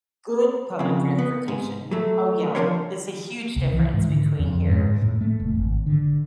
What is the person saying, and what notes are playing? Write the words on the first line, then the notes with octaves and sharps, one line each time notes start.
Good public transportation. Oh, yeah. It's a huge difference between here
F2 C#3
B3
G#2
F#3 A3
F3 F#3 D4 A#4 C5 C#5
C2
E3
G#2
D3
F2
G#2
A2
A3
F1
G#1
D3